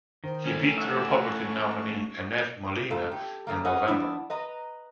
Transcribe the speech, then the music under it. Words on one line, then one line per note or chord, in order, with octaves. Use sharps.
He beat the Republican nominee Annette Molina in November.
D#3 C5
A3 C#4
E5 F#5 C#6
G#2 A3 F4 A4
G4
F2 D#3 A3 A#3
C#4 G#4 B4 C#5 D#5 F#5
F3 B3 D4 E4
B4 D#5 A#5